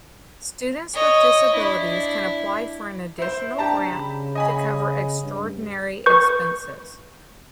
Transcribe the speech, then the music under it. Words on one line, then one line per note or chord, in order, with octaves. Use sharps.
Students with disabilities can apply for an additional grant to cover extraordinary expenses.
C#5 D#5
D4 E4
E4 C5
D4 G4 A5 A#5
C#3 B5
D#5 G#5 B5
G2
B4 C#6 G6